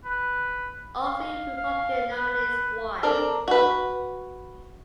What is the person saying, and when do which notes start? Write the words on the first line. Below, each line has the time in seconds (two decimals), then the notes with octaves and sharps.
All three Republican nominees won.
0.05 B4
1.04 F5
1.57 F5
2.12 B4
3.03 C4 D4 A4 A#4
3.48 F#4 B4